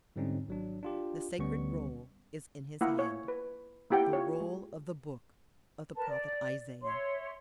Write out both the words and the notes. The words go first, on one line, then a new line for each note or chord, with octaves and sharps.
The sacred Roll is in His hand; the Roll of the Book of the prophet Isaiah.
G#2 D3 G3 C4 C#4 D#4
G#1 F#3 D4
D4 F4 G4
D2 D3 G3 B3 C#4 C#6
A#3 E4 F#5
C#5
B4
A#3 E4 G4 F#5 G5
F4 C#5
G#3
A#4 B4 A5
D5
C#5 E5 C6